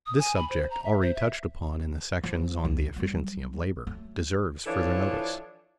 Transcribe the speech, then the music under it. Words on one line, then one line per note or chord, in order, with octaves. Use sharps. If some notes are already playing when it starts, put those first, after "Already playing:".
This subject, already touched upon in the sections on the efficiency of labor, deserves further notice.
D#6
G#5
B5
C5
A#5
E5
C5
E5
F3
C#2 F#2
F#3 G3
F#3 A3
E3 F3 D4 A4 C#5